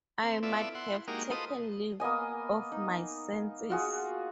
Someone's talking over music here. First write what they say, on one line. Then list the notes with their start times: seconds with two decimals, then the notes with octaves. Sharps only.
I might have taken leave of my senses.
0.23 C4
0.43 B3 E4 F4 A4 D5 E5
0.75 E4 F#5 C6
1.08 G#3 A#3 D#4 F#4 G4 A#4
1.31 F4 A4 B4 C5 D#5 D#6
2.00 A#3 B3 D#5 G#5
2.72 D#4
3.70 F4 F#4 G#4